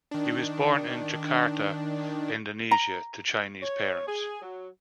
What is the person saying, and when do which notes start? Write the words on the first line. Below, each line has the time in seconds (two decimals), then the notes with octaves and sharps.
He was born in Jakarta, Indonesia, to Chinese parents.
0.11 D#3 D4
2.71 A#5
3.62 C#5
4.06 G#4
4.42 F#3